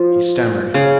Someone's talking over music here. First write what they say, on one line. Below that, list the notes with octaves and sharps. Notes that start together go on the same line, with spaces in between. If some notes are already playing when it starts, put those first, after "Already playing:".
He stammered.
Already playing: F3
C#3